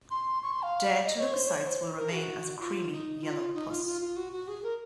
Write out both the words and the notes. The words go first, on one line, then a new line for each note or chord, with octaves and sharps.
Dead leukocytes will remain as a creamy yellow pus.
C6
C#6
C6
F5
D#5
C#5
C5
C#5
C5
A#4
F#4
F4
D#4
F4
D#4
F4
F4
F4
F#4
F#4
G#4
A#4